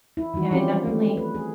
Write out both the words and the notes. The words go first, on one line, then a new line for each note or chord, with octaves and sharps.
Yeah, I definitely
E4
D#3 E3 G3 F#4
F3 C4 C#4 F4 G4 D5
A3
B4
G#4